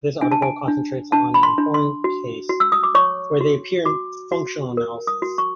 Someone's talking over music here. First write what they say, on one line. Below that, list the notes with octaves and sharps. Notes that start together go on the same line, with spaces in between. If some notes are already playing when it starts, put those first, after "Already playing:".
This article concentrates on an important case, where they appear in functional analysis.
D4 G#5
A5
G#5
D4
D4 A5
B5
C6
D4
C6
F#4
F#4
E6
D#6
D6
C#5 C#6
F#4
F#4 D6
F#4
A#4
D#6
F#4
C#6